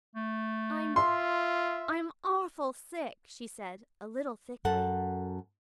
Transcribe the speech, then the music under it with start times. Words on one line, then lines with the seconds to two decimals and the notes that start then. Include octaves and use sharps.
"I'm--I'm awful sick," she said, a little thickly.
0.15 A3
0.96 F4 E5 C6
4.65 F#2 A4 F#5 A5